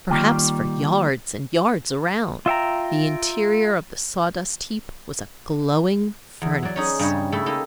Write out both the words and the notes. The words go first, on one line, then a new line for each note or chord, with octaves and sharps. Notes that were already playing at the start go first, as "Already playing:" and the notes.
Perhaps for yards and yards around, the interior of the sawdust heap was a glowing furnace.
D#3 E3 G3 A#3 F4 G5
F4 E5 G5 A#5
E2
F#3 D5
C#4 D#4 G#4
G2 C#3 G3 G4 C#5
C#3 A3 E4 A4
A#3 D#4 G4 A4